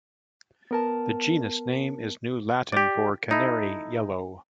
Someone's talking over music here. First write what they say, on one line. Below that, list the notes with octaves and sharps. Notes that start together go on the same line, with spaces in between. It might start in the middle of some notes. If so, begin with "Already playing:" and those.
The genus name is New Latin for "canary-yellow".
B3 A#4 A5
G4 D5
D#4 E4 A4